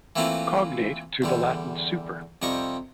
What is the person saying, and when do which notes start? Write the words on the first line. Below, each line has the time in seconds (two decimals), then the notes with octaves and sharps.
Cognate to the latin super.
0.16 E3 A3 A#3 C4 E4 F4
1.22 E2 D3 G3
2.42 F2 C3 G3 D#5 C#6